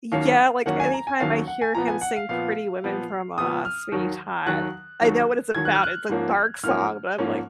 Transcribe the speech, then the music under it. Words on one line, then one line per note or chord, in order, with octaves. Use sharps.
yeah, like, anytime I hear him sing Pretty Women from, uh, Sweeney Todd I know what it's about, it's a dark song, but I'm, like,
D#2 D#3 F#3 A#3 C#4 F5
D#2 D#3 F#3 A#3 C#4 F#5
G#5
A#5
G#5
D#2 D#3 F#3 A#3 C#4 F5
F#5
G#5
A#2 F3 B3 A#5
G#5
F#5
F5
A#2 F3 B3 F5
A#2 F3 B3
A#2 F3 B3 D#6
F6
D#2 D#3 F#3
D#2 D#3 F#3 F#6
D#2 D#3 F#3
D#2 D#3 F#3 G#6
F#6
F6
F#6
G#2 F3 A#3 C#4
G#2 F3 A#3 C#4 F6
G#2 F3 A#3 C#4